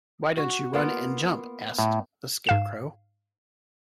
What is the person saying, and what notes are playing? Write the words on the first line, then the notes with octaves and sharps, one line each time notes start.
Why don't you run and jump? asked the Scarecrow.
F#4
A#3 B3 F4
A2
G#2 F5 E7